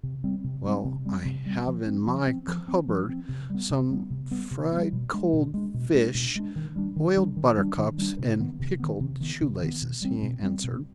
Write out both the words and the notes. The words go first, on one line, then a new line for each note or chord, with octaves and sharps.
"Well, I have in my cupboard some fried goldfish, boiled buttercups and pickled shoelaces," he answered.
C3
G3 C4
C3
G3 C4
C3
G3 C4
C3
G3 C4
F3
C4
F3
C4
F3
C4
F3
C4
C3
G3 B3
C3
G3 B3
C3
G3 B3
C3
G3 B3
B2
G#3 D4
B2
G#3 D4
B2
G#3 D4
B2
G#3 D4
D#3
G3 D4
D#3
G3 D4
D#3
G3 D4
D#3
G3 D4
C3
D#3 B3
C3
D#3 B3
C3
D#3 B3
C3
D#3 B3
B2
G3 C4
B2
G3 C4
B2